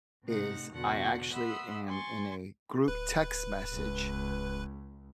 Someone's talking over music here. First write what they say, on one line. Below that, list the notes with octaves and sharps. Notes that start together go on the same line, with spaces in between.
is I actually am in a group text message
A2 C3 D#4 F#5
E2 B2 D3 F#4 F#5
E5 F#5 B5 C6 D#6 E6
G#5 C6 C#6 A6
D1 B4
C#2